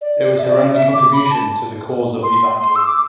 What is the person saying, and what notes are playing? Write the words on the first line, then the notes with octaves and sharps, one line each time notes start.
It was her only contribution to the cause of evangelism.
D5
E5
D5
E5
D6
B5
A5
C6
C6
E6
D6